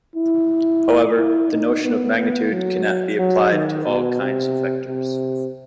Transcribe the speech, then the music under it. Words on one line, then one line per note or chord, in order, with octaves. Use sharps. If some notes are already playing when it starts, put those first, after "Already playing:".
However, the notion of magnitude cannot be applied to all kinds of vectors.
E4
E4
D#4
B3
B3
F#3
F#3
D#3
B2
C3
C3